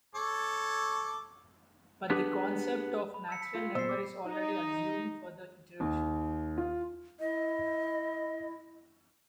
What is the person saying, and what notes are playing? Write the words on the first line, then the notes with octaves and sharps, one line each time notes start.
But the concept of natural number is already assumed for the iteration.
A4 C#5 D6
B3 D4 G4 G#4 B4
B5
E6 B6 C#7
B6
F4 G#4 F5
A#2 B3 G#4 C5 E6 A6 C7
D6
D#4
D#2
F4
E4 D#5